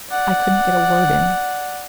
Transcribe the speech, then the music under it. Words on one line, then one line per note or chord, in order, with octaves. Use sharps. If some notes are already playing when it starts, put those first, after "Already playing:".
I couldn't get a word in.
D5 F#5